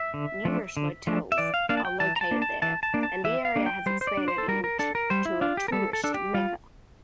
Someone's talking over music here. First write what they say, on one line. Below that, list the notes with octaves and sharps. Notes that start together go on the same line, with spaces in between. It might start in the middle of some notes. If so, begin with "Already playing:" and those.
Numerous hotels are located there and the area has expanded into a tourist Mecca.
Already playing: E5
D3
F3 A3 D4
D3
F3 A3 D4
E5
E3 D5
F5
A#3 D4 F5
A5
G5
E3 A5
A#5
A5
A#3 D4
A5
E3 A5
A5
A#3 D4
A5
E3 E5
F5
A#3 D4
G5
G3 C5
C5
D5
D4
C5
A4
G3 A#4
A#4
D4 A4
A#4
G3 C5
E4
D4 F4
G4
A#4
G3 A4
A4
D4 A4
G4
G3 F4